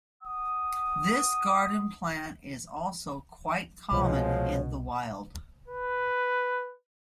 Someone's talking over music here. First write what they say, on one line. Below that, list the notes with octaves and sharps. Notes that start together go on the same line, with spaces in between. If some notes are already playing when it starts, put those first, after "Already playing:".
This garden plant is also quite common in the wild.
F#5 D#6
C2 B2 F3 G#3 C#5
B4